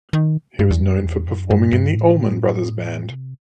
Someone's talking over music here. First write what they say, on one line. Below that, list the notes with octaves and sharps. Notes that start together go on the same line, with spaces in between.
He was known for performing in the Allman Brothers Band.
D#3
G2
E2
F#2
E2
F#2
G2
G2
A2
C3